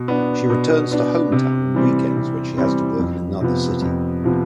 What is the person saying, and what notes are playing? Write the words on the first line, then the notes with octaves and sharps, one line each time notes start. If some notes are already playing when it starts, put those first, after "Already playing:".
She returns to hometown on weekends when she has to work in another city.
Already playing: B2
B3 D4
B2
B3 D4
C3
E3 G3 C4
C3
E3 G3 C4
F2
C3 F3 B3
F2
C3 F3 B3